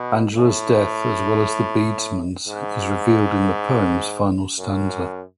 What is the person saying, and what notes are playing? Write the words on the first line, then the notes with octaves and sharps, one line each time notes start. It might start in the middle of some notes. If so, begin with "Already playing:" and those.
Angela's death, as well as the beadsman's, is revealed in the poem's final stanza.
Already playing: B2
A2
G#2
F#2